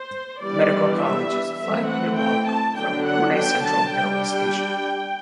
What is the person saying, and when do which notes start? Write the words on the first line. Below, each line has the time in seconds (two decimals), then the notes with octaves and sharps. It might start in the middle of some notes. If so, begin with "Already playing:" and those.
Medical College is a five-minute walk from Pune central railway station.
Already playing: C5
0.42 E3 G3 B3 D4 D5
1.01 E5
1.59 E3 A3 C4 E5
1.89 F#5
2.18 G5
2.47 A5
2.76 D3 F#3 B3 D4 G5
3.06 F#5
3.35 G5
3.64 A5
3.93 G3 D4 G5